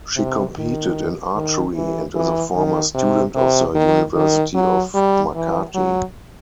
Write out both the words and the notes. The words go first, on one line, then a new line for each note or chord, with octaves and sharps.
She competed in archery and is a former student of the University of Makati.
C3
D#3
D#3
E3
E3
D#3
C3
C3
D#3
D#3
F#3
G3
E3
F#3